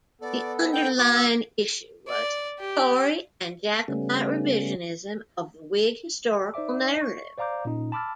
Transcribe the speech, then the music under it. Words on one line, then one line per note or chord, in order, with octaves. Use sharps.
The underlying issue was Tory and Jacobite revisionism of the Whig historical narrative.
B3 A4 D5
G5
A#3 B3 F#4 D6
E6
D5
G4
C#3 G3 A3 B3 C#4
D#4 C5 D5 E5 D6
C#6
C5 D5 F5 A#5 D6 G6
A#2 C#4 D#4
A5 B5 D6 E6 F6 A6